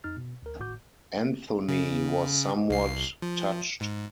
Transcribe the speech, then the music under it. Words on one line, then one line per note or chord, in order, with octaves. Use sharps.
Anthony was somewhat touched.
F2 D#4 F6 A6
B2
D2 A#4
G#1 A2 F#4 D6 G6
C#3
C2 C7
F3
G#2